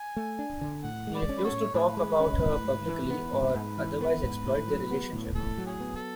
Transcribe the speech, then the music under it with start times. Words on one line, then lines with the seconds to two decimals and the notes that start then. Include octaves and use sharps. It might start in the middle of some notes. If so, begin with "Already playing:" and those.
He refused to talk about her publicly or otherwise exploit their relationship.
Already playing: G#5
0.16 A3
0.39 D4
0.61 D3
0.84 A2 F#5
1.07 G#3
1.15 F#4 B4 D5
1.29 C#4
1.38 B4
1.44 F#4 A4 C#5
1.52 A2
1.74 A2 D4 G#4 B4
1.97 G#3
2.20 C#4
2.42 A2
2.64 G#2
2.87 E3
3.10 B3
3.33 G#2
3.55 G#2 B4
3.78 E3
4.01 B3
4.23 G#2
4.45 A2
4.68 F#3
4.91 B3
5.13 A2
5.35 A2 A4
5.58 F#3
5.66 C#4 G#4
5.80 B3
5.96 A4